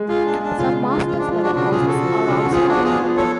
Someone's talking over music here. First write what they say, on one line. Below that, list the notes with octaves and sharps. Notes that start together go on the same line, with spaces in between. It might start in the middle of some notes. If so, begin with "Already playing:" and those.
Some Masters Level courses are also available.
Already playing: G#3
F4 G#4
D4
G#3
D4
C#3 F4
G#3
F4
F3 F4
D4
F3 F4
D4 F#4
C#3 D4 F#4
F4 G#4
C#3
F#4 A4
F3
C#3 D4
F4
F#4
F3 F4 G#4
D4 F#4
B3
F4 G#4
F3
A4 C#5